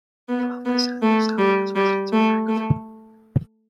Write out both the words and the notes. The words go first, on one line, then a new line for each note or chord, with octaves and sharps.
Twelve per cent of Southdale's residents are francophone.
B3
B3
A3
G3
G3
A3
A3